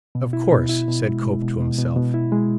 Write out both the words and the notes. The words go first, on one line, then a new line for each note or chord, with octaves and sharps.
"Of course," said Cope to himself.
B2
E4
B2
E4
B2
G#3
G#3
B2
B2
B2
B2
E4
G#3